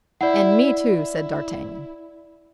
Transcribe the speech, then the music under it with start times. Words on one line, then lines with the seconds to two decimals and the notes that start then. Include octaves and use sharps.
"And me, too!" said d'Artagnan.
0.21 E4 D5 F#5
0.80 E4